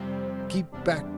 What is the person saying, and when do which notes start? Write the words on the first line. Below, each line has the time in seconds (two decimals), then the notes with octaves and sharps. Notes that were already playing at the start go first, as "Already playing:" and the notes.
'Keep back!
Already playing: F2 C3 G3 C4
0.72 E2 C3 G3 D4